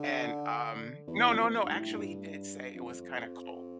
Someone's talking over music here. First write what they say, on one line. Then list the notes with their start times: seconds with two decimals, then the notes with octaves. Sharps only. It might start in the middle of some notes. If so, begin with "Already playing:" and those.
And, um no, no, no, actually, he did say it was kinda cold.
Already playing: D3
1.07 E2
1.28 F2
1.63 G2
1.70 A2
1.91 G2
2.74 F2